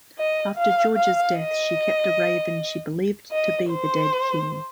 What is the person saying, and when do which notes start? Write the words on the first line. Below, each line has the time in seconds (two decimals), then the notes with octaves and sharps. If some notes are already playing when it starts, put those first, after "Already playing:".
After George's death, she kept a raven she believed to be the dead king.
0.18 D#5
0.58 F5
0.97 F5
1.36 D#5
3.32 D#5
3.70 C5